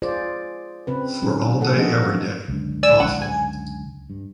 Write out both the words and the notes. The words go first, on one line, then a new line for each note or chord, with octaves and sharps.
For all day everyday. Awful.
F4 G#4 C5 D5
C#3 C4 B4
D3 F#3 C#4 D#4
A#3 A4 F#5
F3 A#3 B3 F#4 D#5
A4
C#2 F#2 D3
D5 G#5 E6
A#1 F#5
G#5
G2